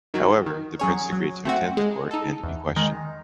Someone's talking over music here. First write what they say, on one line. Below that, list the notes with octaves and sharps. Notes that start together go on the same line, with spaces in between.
However, the Prince agreed to attend the court, and to be questioned.
D#3 F#3
D#3
F#3 C#4 G#4 C#5
F#3
A3 C4 F#4
G#3
D#4 A4
E2
D#3 G#3 D#4